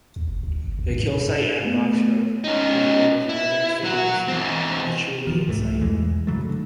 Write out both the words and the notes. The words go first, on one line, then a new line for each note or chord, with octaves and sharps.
The kill site at Boxgrove in England is another famous Acheulean site.
D#2
F#1
D2
G#1
D#2
G#2
C3
F#2
A3 B3
C#4 D#4
E4
F#3 F#4
E3 C4
D#3 F3
C2 G#2 E3 A3
B1 E2 E3 G#3
F#2 C#3 F#3 A3
D3